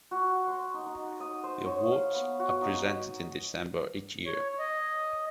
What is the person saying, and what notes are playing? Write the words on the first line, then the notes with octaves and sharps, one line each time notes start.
The awards are presented in December each year.
F#4
C6
D#4
D#4
D#6
C5
C#5
F5
B3
F#4
D#4
C#5
D#5